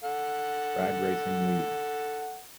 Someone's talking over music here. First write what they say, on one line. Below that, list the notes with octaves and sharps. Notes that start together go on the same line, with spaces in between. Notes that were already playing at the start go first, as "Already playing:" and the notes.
Drag Racing League.
A4 F#5